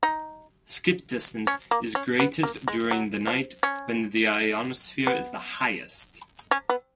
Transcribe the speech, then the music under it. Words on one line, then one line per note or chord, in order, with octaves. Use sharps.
Skip distance is greatest during the night when the ionosphere is the highest.
D#4
C#4
A#3
C#4
B3
A#3
G#3
F#3
F3
C#4
B3
C#4
B3